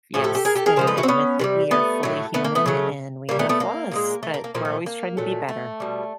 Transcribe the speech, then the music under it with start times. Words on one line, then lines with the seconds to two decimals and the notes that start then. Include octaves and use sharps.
yes, and admit that we are fully human and we have flaws, but we're always trying to be better.
0.14 A2 F3 A3 F#4 G#4
0.24 G4 A4
0.35 G4 A4
0.45 G#4 A#4
0.55 G4 A4
0.66 G#4 A#4
0.76 C#3 F3 G#3 A#4 C5
0.87 A4 B4
0.97 E4 F#4
1.03 C4
1.08 B3 C#4
1.39 C3 D#3 G3
1.71 A3 B3
2.03 A2 F#3 A3
2.34 A3 B3
2.44 A#3
2.55 A3 B3
2.66 C#3 F#3 A3
3.29 A#2 G3 A#3
3.39 A3 B3
3.49 A3 B3
3.60 A#3
3.91 A#2 F3 G#3
4.23 A3
4.34 A#3
4.44 A#3
4.55 A#2 F3 A3 A#3
4.65 A3
4.86 A#3
5.17 A#2 F#3 A3
5.49 A3
5.80 B2 G3